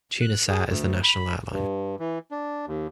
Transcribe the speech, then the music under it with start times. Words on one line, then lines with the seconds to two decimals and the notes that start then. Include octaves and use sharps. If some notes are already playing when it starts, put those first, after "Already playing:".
Tunisair is the national airline.
0.21 F#6
0.49 G#4
0.68 D2
1.03 B5
1.52 G2
2.00 E3
2.31 D4
2.67 D#2